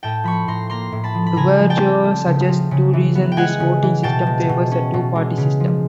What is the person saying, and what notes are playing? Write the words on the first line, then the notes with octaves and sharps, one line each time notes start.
Duverger suggests two reasons this voting system favors a two-party system.
A2 G5 A5
F3 B5 C#6
A2 A#5 C6
A#3 A#5 C6
A2
A5 B5
F3
B5
C#3 G#5 A#5
F3
G5 A5
C4
A3
C#3
F3
C#3
E3
B3
G5
G#3 F#5 G#5
C#3
E3
B2 G5 A5
G#3
B2
C#4
B2
G#3
C#3
F3